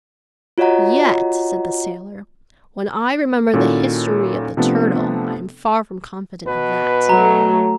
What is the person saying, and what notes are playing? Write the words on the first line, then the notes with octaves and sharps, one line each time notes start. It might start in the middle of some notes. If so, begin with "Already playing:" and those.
"Yet," said the sailor, "when I remember the history of the turtle, I am far from confident of that."
F4 F#4 C#5 D#5 F#5 A#5
A#2 D#3 C#4 E4 F#4 A4
C3 F3 A3 B3 D4 A4
B2 B4
F#3 A3 A#5